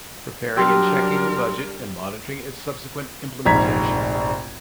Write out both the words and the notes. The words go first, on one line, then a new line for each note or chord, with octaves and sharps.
Preparing and checking the budget and monitoring its subsequent implementation.
F#3 G3 D4 G4 A#4 G5 C6 E6
F1 A#1 G#2 A#5 G#6 B6